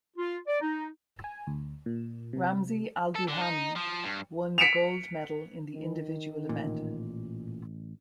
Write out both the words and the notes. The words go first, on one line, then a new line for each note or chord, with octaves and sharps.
Ramzy Al Duhami won the gold medal in the individual event.
F4
D5
D#4
G#5
D2
A#2
C3
A4
D3
D#4
F3
G2
B6 C#7 D7 E7 F7
D#3
A1 A#2